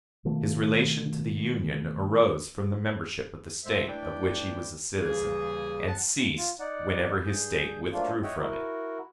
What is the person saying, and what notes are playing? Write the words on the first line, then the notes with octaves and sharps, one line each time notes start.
His relation to the Union arose from the membership of the State of which he was a citizen, and ceased whenever his State withdrew from it.
B2 D#3 F3 A3
F2 G#2 G#3 A4 C5 E5
A3 D4 E4 B4 D5 G5
D#2 C#3 E3 G3 G#4
F#5 A5
F4
D#4 D5 F#5
G2 G#4 G6
F3 F#3 A3 A#3 D4 F4
C#5 D#5 E5 F#5 G5
E4 F#4 A#4